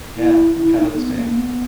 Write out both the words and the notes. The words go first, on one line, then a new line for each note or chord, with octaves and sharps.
yeah. I'm kinda the same.
E4
E4
D#4
B3
A#3
B3